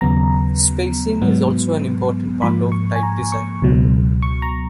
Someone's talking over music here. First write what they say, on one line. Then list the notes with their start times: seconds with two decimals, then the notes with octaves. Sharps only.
Spacing is also an important part of type design.
0.01 D#2 C#3 F#3 B3 A#5
1.22 G#2 F#3 B3
2.42 G#2 F3 A#3 B5
2.72 C#6
2.96 G#5
3.03 A#5
3.32 C#6
3.62 C#2 B2 F#3
4.22 C#6
4.42 A#5